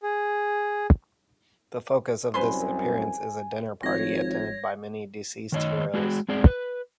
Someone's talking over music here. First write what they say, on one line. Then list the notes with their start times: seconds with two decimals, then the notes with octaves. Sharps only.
The focus of this appearance is a dinner party attended by many deceased heroes.
0.03 G#4
2.34 C2 F#2 B4 C5 G#5 C6
3.83 G#1 F3 C#5 G#6 A#6
5.52 D#3 C#5 D#5
5.94 G#3 F#4 G#4
6.29 G#3 C4 G#4 D5
6.46 B4